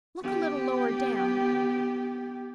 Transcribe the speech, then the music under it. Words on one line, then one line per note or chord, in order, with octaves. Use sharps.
"Look a little lower down."
B3 G4